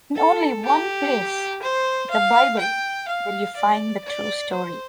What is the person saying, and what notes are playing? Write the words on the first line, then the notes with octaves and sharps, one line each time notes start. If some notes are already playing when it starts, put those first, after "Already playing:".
In only one place - the Bible - will you find the true story.
A4
G4
C5
F5
G5
F5
D5
D5
C5